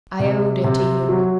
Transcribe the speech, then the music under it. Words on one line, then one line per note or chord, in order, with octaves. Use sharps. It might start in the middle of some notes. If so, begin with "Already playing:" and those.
"I owed it to you."
C3
C3
F#3